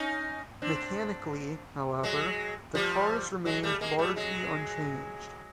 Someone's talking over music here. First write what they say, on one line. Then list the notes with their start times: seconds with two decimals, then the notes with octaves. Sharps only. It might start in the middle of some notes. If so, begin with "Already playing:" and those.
Mechanically, however, the cars remained largely unchanged.
Already playing: C#4 D#4
0.62 C4 D4
2.03 F#3 G#3
2.75 F3 G3
3.45 F#3 G#3
3.63 G3 A3
3.81 G#3 A#3
3.98 G3 A3
4.16 F#3 G#3